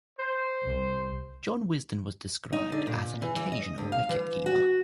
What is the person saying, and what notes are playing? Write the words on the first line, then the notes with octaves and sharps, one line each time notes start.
John Wisden was described as an occasional wicket-keeper.
C5
C2
D#4
D3
A#2
E3
E3
D#5
D2
F5
E3
F#4